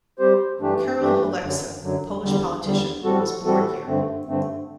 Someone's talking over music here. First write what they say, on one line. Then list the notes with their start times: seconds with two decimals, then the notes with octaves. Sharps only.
Karol Holeksa, Polish politician, was born here.
0.19 G3 C4 G4 C5
0.60 G2 E3 A3 D4 G4
1.01 G2 E3 A3 D4 G4
1.42 F#2 D3 F#3
1.81 F#2 D3 F#3
2.23 E2 D3 G3
2.63 E2 D3 G3
3.04 A2 G3 C4 F#4 A4
3.45 A2 G3 C4 F#4 A4
3.86 G2 D3 A3 C4
4.27 G2 D3 A3 C4